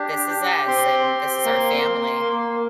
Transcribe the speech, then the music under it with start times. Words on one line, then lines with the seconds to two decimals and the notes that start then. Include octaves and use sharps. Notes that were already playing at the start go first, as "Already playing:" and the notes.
this is us, and this is our family.
Already playing: D4 G4
0.30 G4
0.67 C4 C6
1.07 C4
1.45 A#3
1.82 A#3
2.21 A#3